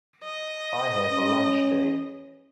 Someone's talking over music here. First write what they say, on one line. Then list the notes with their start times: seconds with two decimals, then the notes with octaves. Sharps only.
I have a lunch date.
0.24 D#5
1.11 C#4